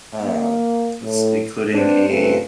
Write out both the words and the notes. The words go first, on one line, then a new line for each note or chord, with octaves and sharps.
um, s including a,
A#3
A2
B3 C4 D4 C5
A#2 C#3 A3 C4 B4 C5